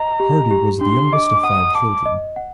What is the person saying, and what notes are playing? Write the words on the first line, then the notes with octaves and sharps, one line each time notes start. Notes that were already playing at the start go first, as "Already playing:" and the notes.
Hardy was the youngest of five children.
Already playing: D#5 A#5
G4
G4
D4 C6
D#5 D6
F#5 D#6
A5 D6
D#5
F#5